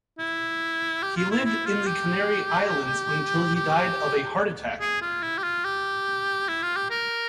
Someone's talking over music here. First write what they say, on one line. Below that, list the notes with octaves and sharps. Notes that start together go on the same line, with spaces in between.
He lived in the Canary Islands until he died of a heart attack.
E4
G4
F4
E4
E4
F4
G4
G4
G#4
F4
E4
G4
F4
G4
E4
F4
G4
A#4